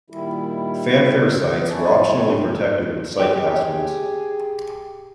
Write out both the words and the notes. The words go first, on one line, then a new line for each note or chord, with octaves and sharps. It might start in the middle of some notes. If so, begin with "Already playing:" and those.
Phanfare sites were optionally protected with site passwords.
A#2 D#3 G3 E4
C4 E4 C#5 G#5 A5
G#3 G4
G#4